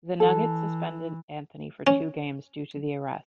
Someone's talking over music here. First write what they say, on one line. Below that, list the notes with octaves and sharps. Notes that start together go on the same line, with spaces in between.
The Nuggets suspended Anthony for two games due to the arrest.
E3 A4
C#4